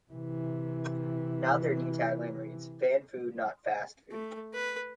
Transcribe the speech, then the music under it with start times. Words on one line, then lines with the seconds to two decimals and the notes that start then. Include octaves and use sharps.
Now, their new tagline reads, "Fan Food, not Fast Food".
0.11 C3 E3
4.12 A3
4.54 B4